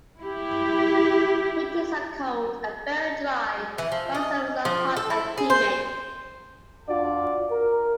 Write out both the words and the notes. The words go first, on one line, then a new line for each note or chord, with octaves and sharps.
Winters are cold and very dry, while summers are hot and humid.
E4 G4
E3
F3
D#5
F3
A4
E4
G#4
C5
D4 F4 F#4 D5
A#4